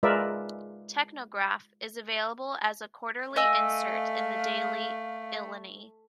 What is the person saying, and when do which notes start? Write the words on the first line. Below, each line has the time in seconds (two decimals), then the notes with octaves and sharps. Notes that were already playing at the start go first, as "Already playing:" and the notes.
"Technograph" is available as a quarterly insert in the "Daily Illini".
0.03 G#3 F4 A#4 B4 D5 E5
3.36 A3 D#5 F5 G#5 E6